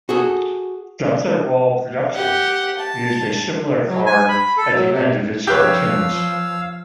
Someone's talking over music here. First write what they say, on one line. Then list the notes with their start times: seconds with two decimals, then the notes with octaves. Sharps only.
Gunther-Wahl Productions used a similar card at the end of its cartoons.
0.09 F#4 G#4 A4
2.15 G4 F#5
2.77 A5
3.87 F#3
4.06 G#5
4.29 B5
4.57 A4
4.71 F#3
4.92 C3
5.47 F3 G4 B4 C#5 F5 E6 G6